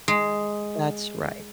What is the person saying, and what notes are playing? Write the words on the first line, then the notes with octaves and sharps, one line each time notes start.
That's right.
G#3